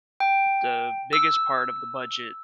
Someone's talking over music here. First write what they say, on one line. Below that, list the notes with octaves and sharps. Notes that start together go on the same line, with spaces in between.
the biggest part of the budget
G5
E6